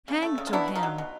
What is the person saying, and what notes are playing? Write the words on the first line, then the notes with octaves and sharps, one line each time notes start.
Hang to him!
C#3
A3
C#3
F4
B3 D4 E4
B2
D#4 F4
F#3
B2